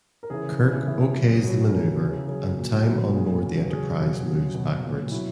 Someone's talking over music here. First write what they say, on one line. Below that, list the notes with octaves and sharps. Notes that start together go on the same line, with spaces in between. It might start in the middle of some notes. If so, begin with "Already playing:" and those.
Kirk okays the maneuver, and time on board the "Enterprise" moves backwards.
A#4
C#3 E3 G#4
C#3 E3
C#3 E3 G#4
C#3 F#3
B2 F#3
C#3 F#3 A#4
C#3 E3
C#3 F#3 G#4
A#2 F#3
B2 F#3
A#2 F#3 G#4
C#3 F#3
C#3 F#3 G#4
B2 F#3
C#3 F#3
B2 F#3 F#4
A#2 F#3
B2 F#3 E4